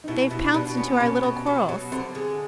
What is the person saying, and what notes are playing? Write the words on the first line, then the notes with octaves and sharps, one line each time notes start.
They've pounced into our little quarrels....
D#4
B2 E4
B2 E4
B2 D4
B3 C#4
B2 C#4
B2
F#3
B2
D3 C4
G#3